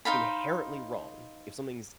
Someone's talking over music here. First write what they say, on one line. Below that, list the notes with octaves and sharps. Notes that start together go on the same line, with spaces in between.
inherently wrong, if something's
D#4 C5 F5 B5